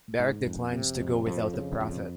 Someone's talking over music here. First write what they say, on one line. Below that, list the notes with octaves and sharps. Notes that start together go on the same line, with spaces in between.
Barak declines to go without the prophet.
G#2
F2
C3
F2
F2 F3
C#3
F2